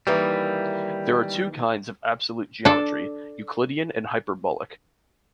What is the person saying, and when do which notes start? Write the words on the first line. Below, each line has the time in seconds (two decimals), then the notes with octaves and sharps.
There are two kinds of absolute geometry, Euclidean and hyperbolic.
0.07 D#3 E3 G3 A#3
2.65 D4 A4